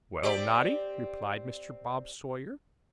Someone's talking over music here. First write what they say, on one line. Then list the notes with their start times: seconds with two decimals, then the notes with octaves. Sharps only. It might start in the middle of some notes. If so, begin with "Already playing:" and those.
'Well, Noddy,' replied Mr. Bob Sawyer.
0.23 C4 G4 D5